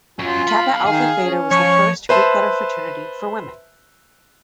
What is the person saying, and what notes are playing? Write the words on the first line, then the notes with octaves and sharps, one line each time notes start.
Kappa Alpha Theta was the first Greek-letter fraternity for women.
F#3 C#4 F4 G#5
B1 F5 B5
D#3 G#4
C#4
F3 C#5 C#6
B4 C5 E5 A5